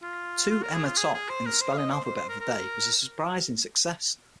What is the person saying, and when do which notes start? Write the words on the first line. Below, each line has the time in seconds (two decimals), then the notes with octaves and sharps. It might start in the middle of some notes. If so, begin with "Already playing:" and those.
"Two Emma Toc", in the spelling alphabet of the day, was a surprising success.
0.02 F4
0.50 F4
0.63 A#4
0.74 G#4
0.86 F4
0.97 G#4
1.14 G#4
1.29 C5
1.46 A#4
1.61 C5
1.73 F5
1.77 D#5
1.93 C5
2.04 C5
2.16 C5
2.29 A#4
2.40 A#4